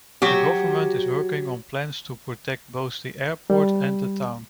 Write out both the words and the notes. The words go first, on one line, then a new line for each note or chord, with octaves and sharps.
The government is working on plans to protect both the airport and the town.
F#3 F#4 G4
G3